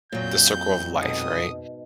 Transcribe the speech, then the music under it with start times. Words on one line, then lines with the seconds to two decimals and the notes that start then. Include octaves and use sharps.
the circle of life, right?
0.12 F2 A#2 F#3 G6
1.00 G#2 B2 D#6